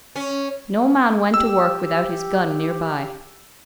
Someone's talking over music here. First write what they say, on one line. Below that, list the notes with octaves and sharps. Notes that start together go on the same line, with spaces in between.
No man went to work without his gun near by.
C#4
G4 E6